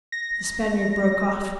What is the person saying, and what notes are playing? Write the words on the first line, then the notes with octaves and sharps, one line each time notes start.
The Spaniard broke off.
A#6